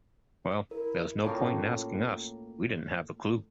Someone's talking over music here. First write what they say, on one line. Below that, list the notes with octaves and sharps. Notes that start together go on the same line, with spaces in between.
Well, there was no point asking us, we didn't have a clue.
E4 A#4
A2 A#3 C#4 F4